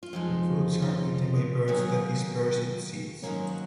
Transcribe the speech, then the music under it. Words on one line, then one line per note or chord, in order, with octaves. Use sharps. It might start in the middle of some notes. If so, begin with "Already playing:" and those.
The fruits are eaten by birds that disperse its seeds.
F4
F2 F3 G#3 D#4
D#4
F4
G#2 D#3 F#3 A#3 G#4
G#2 D#3 F#3 A#3 C#4 A#4
F#4